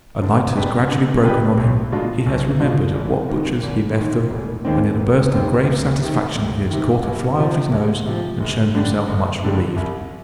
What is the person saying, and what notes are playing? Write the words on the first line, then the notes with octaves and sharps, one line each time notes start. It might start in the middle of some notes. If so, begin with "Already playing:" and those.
A light has gradually broken on him, he has remembered at what butcher's he left them, and in a burst of grave satisfaction has caught a fly off his nose, and shown himself much relieved.
D3
G#3 D4 G4 B4
D3
G#3 D4 G4 B4
B1
B2 G#3 D4 F4
B1
B2 G#3 D4 F4
G#1
G#2 D#3
G#1
G#2 D#3
F1
D#2 D#3 G#3 C4
F1
D#2 D#3 G#3 C4
D2
C3 D#3
D2
C3 D#3
C2
C3 F3
C2
C3 F3
G1
G2 D3 G3 D4
G1
G2 D3 G3 D4
C2